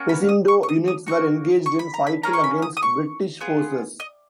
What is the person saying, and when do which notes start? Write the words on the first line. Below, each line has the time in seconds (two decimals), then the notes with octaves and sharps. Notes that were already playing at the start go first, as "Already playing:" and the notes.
Pesindo units were engaged in fighting against British forces.
Already playing: A#3 C#4 F#4
0.09 B5
0.29 D#6
0.48 C#6
0.63 C#6
0.69 D#6
0.88 D#6
1.07 A#3 D#4 F#4 C#6
1.66 C#6
1.79 B5
1.94 A#5
2.07 B5
2.23 A#3 C#4 G#4 A#5
2.33 C#6
2.44 B5
2.62 D#6
2.77 D#6
2.83 C#6
3.41 B3 F4 G#4
4.00 D#5